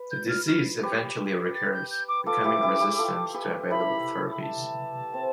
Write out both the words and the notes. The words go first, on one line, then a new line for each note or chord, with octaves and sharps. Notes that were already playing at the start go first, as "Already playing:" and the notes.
The disease eventually recurs, becoming resistant to available therapies.
Already playing: B4
G6
F6
F6
G4 B4
A6
G6
G6
D6
F4 A4 D6
E4 G4
E4 G4
E4 G4
F4 A4
G4 B4
E4 G4 B5
B5
A5
C4